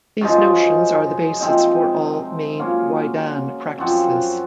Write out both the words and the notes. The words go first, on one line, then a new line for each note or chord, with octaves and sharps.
These notions are the basis for all main "waidan" practices.
F#2 F3 G#3 D#4
C3 F3 C4 D#4
C#3 F#3 A#3 F4
F#2 F3 C4 F#4